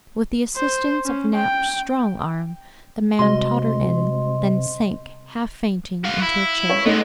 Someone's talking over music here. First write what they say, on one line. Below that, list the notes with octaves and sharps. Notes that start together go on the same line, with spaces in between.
With the assistance of Nap's strong arm, the man tottered in, then sank, half fainting, into a chair.
C5
C#4
G5
C3 G3 G#3 F#4 D#5 C6
F#4 F5
E4
C#5
G#3 A3 B3 D#4